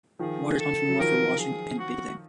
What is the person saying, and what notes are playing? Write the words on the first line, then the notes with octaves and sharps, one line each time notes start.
Water is pumped from wells for washing and bathing.
D#3 F3 G#4
A4
F#3
D#3 F3 A#4
G#4
F#4